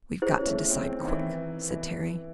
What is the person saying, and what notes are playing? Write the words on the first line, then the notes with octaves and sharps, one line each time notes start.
"We've got to decide quick," said Terry.
E4 G#4 C5
C#4
A3
C#4
C4
C4
D#3
E3
E3